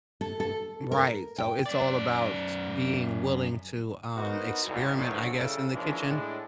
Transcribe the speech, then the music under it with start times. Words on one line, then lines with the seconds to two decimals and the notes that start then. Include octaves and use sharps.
Right. So, it's all about being willing to, um, experiment, I guess, in the kitchen,
0.21 A4
0.40 A4
0.92 A#4
1.38 G5
1.66 F#2 D5
4.17 B3 D#4 E4 F#4 A#4 C5
4.65 C2 G#2
4.95 D2 G2 F3 F#3
5.34 C#3 G3 E4 A4
5.72 E3 F3 G#3 A#3 C#4 D4
6.05 A2 G#3 D4